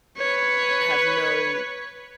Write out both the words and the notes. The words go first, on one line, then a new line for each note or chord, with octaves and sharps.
have no
B4 C#5